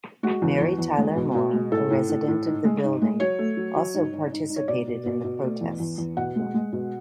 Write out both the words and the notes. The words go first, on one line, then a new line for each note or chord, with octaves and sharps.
Mary Tyler Moore, a resident of the building, also participated in the protests.
G#3 F#4
E2
E2
E2
G#3
B2
B2
G#3
A2 A4
A2
A2
A2
G#2
G#3
G#2
G#3
F#3 C#5
A3
F#3
F#3
G#2
G#2
G#2
G#2
C#5
B2 D5
B2
B2
B2
A3
E2
E2
E2
B2 F#5
G#3
G#3
B2